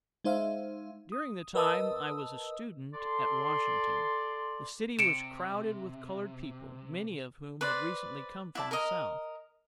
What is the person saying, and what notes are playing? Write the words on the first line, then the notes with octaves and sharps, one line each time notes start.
During the time I was a student at Washington the city was crowded with coloured people, many of whom had recently come from the South.
G#3 D#4 C5 E5 F5
D#6
A#4 B4 D#5 A5 D#6 E6
A4 D5 C6
C3 C#7 D7 E7
B4 C5 D5
E4 D5 A5
A#4 D#5